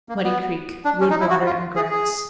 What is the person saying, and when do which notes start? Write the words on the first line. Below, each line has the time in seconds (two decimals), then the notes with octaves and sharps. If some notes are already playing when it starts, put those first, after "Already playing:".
Muddy Creek.--Wood, water, and grass.
0.09 A#3
0.24 B3
0.85 D4
1.00 C#4
1.10 D#4
1.21 E4
1.30 F#4
1.46 F4
1.76 G#4
1.91 G#4